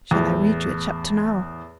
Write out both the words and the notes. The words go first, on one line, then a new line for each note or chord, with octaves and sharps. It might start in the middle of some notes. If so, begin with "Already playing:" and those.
'Shall I read you a chapter, now?'
E2 A2